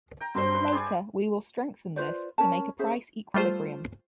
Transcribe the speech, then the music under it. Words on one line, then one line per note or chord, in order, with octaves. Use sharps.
Later we will strengthen this to make a price equilibrium.
G5 A#5
G2 F#3 C4 C5 G5 C6
C4 B4
G#4 D5 G#5
F4 B4 C5 D5
C#4 A#4 A5
C#4 G#4 C5 E5
G3 A3 F4 C5